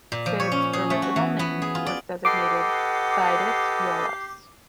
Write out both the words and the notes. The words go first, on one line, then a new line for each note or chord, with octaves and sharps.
Sid's original name was designated Cydus Yolas.
A#2
F3
C#5
C#4
G#4
A3
F#4
E3
B3
G#4
F4
D5
G4 A4 B4 D#5 F#5 D6 C7